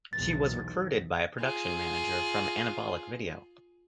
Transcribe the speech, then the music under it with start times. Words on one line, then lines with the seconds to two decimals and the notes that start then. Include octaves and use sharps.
She was recruited by a production manager from Anabolic Video.
0.13 B1 E2 A6
1.41 F4 G#4